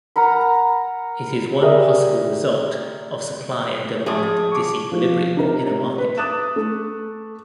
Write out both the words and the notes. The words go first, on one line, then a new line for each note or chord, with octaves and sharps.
It is one possible result of supply and demand disequilibrium in a market.
A#4 F#5 A#5 B5
G4 G#4 A#4 D5 E5 D#6
F3 G#4 D5
C#6 D6
F3
C3 D#4 A#4
B4
D6 D#6 F#6 A6 E7
A3